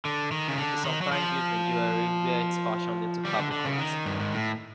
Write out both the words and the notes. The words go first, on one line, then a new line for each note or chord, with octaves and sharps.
It is sometimes used in jewellery where it is fashioned into cabochons.
D3
D#3
C#3
D3
D#3
F#3
F3
G3
D3
D3
C#3
D#3
G2
G#2
A2